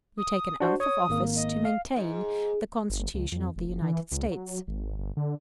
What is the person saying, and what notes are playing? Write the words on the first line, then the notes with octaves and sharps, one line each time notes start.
We take an oath of office to maintain the Constitution of the United States.
D#6
D4 F#4 C5
C#5 D#6
G#1 A#3
D#5
F5
G#2
G1
C#2
F2
F1
F#1
E3
C#2
F#3
G#1
G1
D3